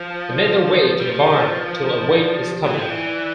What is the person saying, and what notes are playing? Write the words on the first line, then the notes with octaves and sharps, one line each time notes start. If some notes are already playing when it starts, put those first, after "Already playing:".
They made their way to the barn to await his coming.
Already playing: F3
A5
D5
A5
G4
B4
G3
F3 G4
A5
B4
A5
A5
D5
A5
G4
E3 G5
F3
E3 D5
D5